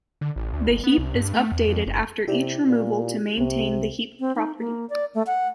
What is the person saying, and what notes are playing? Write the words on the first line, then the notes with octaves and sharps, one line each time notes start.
The heap is updated after each removal to maintain the heap property.
D3
A1
D2
G1
B3
C2
G2
A3
E2
F2
F#1
C3 E4 G4 D5
A#2
C2 C3
C4
D#4
A#3
D5
A3
F#5